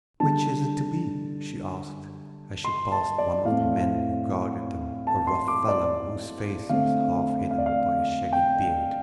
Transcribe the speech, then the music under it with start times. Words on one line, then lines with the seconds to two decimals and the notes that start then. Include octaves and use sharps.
"Which is it to be?" she asked, as she passed one of the men who guarded them, a rough fellow, whose face was half hidden by a shaggy beard.
0.20 D3 G3 D4 A5
2.64 C6
2.92 A5
3.18 D5
3.45 A2 A3 C4 F5
5.07 A5
5.27 C6
5.48 D6
5.68 D5
6.69 D3 A3 C4 F5
7.51 F5
7.58 D5
7.66 F5
8.33 G5